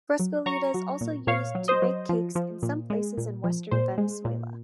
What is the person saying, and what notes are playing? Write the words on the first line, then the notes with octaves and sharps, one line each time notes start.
Frescolita is also used to bake cakes in some places in Western Venezuela.
F#3
F#3 A#5 C#6
F#3
A#2
A#2 C#5 F5
F#3
C5 D#5
F#3
F3
F3
A#2
G#3
A#2
F3
A#2 C5
G#3
A#2